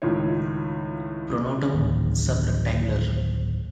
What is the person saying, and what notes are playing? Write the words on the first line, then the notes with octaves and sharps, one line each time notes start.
Pronotum sub rectangular.
C#2 A2 D#3 F4 C#5
D1 A#1 D#2